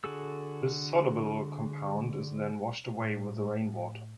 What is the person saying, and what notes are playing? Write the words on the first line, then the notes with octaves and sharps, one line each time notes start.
This soluble compound is then washed away with the rainwater.
D3 F#4 G#4 A4 E6
A2